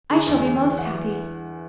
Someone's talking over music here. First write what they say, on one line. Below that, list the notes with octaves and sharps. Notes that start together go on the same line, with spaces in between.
"I shall be most happy."
D3 G#4
E2
E2
E2
E3 F#5